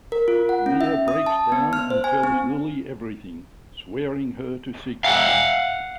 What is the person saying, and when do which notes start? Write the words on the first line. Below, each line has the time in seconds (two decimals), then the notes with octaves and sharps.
Mia breaks down and tells Lilly everything, swearing her to secrecy.
0.12 A#4
0.28 F4
0.49 F#5
0.66 C#4
0.81 E5
1.08 D#6
1.26 A5
1.52 B3
1.73 F6
1.90 C5
2.04 G#5
2.24 C4
5.04 F5 F#5